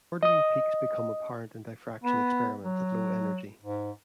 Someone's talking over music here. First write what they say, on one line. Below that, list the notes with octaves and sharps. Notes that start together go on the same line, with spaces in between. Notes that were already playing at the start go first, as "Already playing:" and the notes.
Ordering peaks become apparent in diffraction experiments at low energy.
D#5 D#6
B3
F#3
G#2